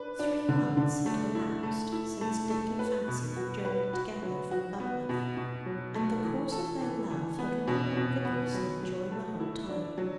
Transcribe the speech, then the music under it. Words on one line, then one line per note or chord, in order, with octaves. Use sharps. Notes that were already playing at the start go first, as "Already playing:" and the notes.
Three months had elapsed since Dick and Fancy had journeyed together from Budmouth, and the course of their love had run on vigorously during the whole time.
Already playing: D4 B4
D4
D3
D3
A3
E4
A3
E4
A3
A3
B4
B2
F#4
B4
F#4
F#3
F#4
B3
B2
B2
F#3
A3
E3
A4
E3
E3
B3
B2
B2
B3
F#3
F#3
A3
E4
D4
F#3